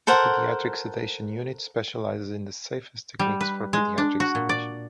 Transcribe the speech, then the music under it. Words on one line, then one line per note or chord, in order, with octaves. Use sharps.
The pediatric sedation unit specializes in the safest techniques for pediatric sedation.
A4 A#4 C5 F#5
G3
B4
G#3
D4
F#4
A#2
D5